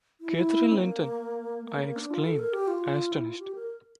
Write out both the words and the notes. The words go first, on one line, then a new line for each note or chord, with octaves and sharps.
Catherine Linton?’ I exclaimed, astonished.
E4
C4
A#3
A#3
A#3
D4
F4
A4
A#4
G4
F4
E4
F4
G4
A#4